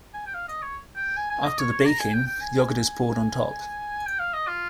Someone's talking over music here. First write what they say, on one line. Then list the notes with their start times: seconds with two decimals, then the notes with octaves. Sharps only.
After the baking yogurt is poured on top.
0.14 G#5
0.26 G5
0.34 F5
0.48 D#5
0.62 C#5
0.97 G5
1.17 G#5
1.31 G#5
1.44 D#5
1.58 C#5
1.72 C#5
1.86 A#5
2.00 G#5
2.14 G5
2.27 G5
2.41 G#5
4.06 G5
4.19 F5
4.34 D#5
4.48 F4